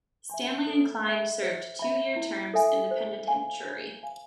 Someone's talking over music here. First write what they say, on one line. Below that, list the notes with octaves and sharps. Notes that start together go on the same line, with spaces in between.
Stanley and Kline served two year terms in the penitentiary.
E5 G#5 C6
A4
E5 B5
C5
E5 B5
E4
A4 E5 G#5
C5
F5 G#5 C6
C5
F5 G#5